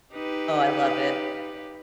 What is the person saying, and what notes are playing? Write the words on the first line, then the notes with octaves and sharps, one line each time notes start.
Oh, I love it.
D#4 G4 B4